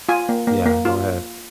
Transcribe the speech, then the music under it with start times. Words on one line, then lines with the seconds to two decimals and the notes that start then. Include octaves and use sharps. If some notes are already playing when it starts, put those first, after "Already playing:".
Yeah. Go ahead.
0.09 F4 G#5
0.29 A#3
0.47 A#3
0.66 A#3
0.85 F4